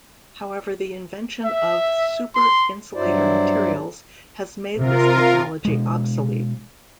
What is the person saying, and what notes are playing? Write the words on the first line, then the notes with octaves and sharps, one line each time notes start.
However, the invention of super insulator materials has made this technology obsolete.
E5
C6
G2 F#3 E4 C5 D5
C3 F4 A#4
B2 G#3